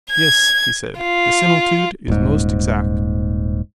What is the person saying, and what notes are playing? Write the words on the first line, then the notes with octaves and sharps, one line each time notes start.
Yes, he said, the similitude is most exact.
G#6
F4
D#1 G#2